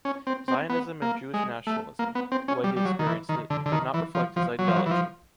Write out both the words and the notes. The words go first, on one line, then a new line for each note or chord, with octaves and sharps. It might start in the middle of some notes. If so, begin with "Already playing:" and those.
Zionism and Jewish nationalism, the way he experienced it, did not reflect his ideology.
C#4
C4
C4
B3
A#3
G#3
A3
A#3
B3
C4
C#4
G3
G3
F#3
D#3
E3
D#3
D3
D3
D#3
E3
F3
F3
F#3
F3
F#3
E3
F3